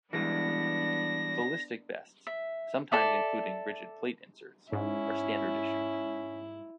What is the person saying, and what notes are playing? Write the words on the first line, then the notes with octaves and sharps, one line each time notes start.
Ballistic vests, sometimes including rigid plate inserts, are standard issue.
E3 G3 G#3 B3 D4 A#6
E5
A4 D5 E5
G#2 C#4 E4